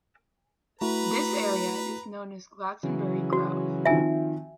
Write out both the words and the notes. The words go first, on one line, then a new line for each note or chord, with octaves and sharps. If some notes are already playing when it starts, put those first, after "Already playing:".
This area is known as Glastonbury Grove.
A3 E4 F#4 B4 A#5 B5
C#3 E3 F#3
F#4
D#3 F3 C4 E5 G#5